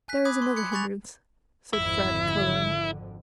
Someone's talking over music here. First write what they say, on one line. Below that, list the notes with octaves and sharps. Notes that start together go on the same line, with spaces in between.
"But there is another hindrance," said Fred, coloring.
G#5 F#6 B6
B5 D6 D#6 F#6 G#6
C6 D6
B5 F#6 G#6 C#7
G#5 B5 C#6 F#6 A6 F7
G#1 F2 D3 E4